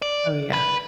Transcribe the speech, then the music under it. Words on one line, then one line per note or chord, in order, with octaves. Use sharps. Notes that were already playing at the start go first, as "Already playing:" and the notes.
Oh, yeah.
D5
B4